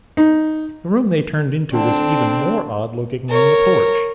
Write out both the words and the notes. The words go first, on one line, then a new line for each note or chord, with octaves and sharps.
The room they turned into was even more odd-looking than the porch.
D#4
D3 C4 D4 A4 A5
A#4 C#5